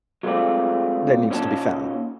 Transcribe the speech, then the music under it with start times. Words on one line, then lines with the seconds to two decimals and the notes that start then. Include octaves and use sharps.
that needs to be found.
0.23 F#3 G#3 A3 C4 F4 D5
1.30 A#2 C#4 D#4 E4 F#4 A5